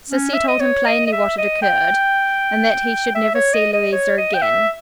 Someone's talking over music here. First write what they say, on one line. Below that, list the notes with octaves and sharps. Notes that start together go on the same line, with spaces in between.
Sissy told him plainly what had occurred, and that he should never see Louisa again.
C#4
E5
D#5
C#5
D#5
D#5
E5
D#5
G5
E5
C#5
D#5
D#5
C#5
D#5
G5
E5